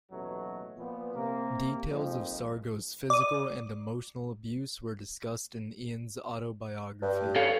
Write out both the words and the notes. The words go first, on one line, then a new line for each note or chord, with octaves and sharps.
Details of Sargo's physical and emotional abuse were discussed in Ian's autobiography.
A1 D#2 B2 F#3 A3
A#2 F3 B3
C3 A#3
F2 A#2 D#3 F3 G#3
D5 D#6
G2
A4 C#5 F5